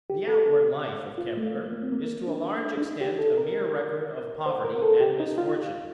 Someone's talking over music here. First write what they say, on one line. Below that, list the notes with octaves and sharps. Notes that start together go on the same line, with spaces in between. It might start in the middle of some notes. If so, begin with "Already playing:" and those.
The outward life of Kepler is to a large extent a mere record of poverty and misfortune.
G4
A4
A4
F4
A3
A#3
A#3
C4
A#3
D4
D4
D#4
G4
A4
A#4
C5
A#4
A4
G4
D#4
F4